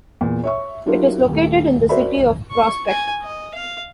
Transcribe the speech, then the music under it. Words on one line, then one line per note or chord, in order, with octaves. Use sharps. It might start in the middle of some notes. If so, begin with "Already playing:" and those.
It is located in the City of Prospect.
E2 A#2
C#5 E5 C#6
F#3 D4 E4 F4 G4 A#4
D#1 A3
F#4 A#4 C5 D5 E5 B5
C#6
G#5
D#5
F5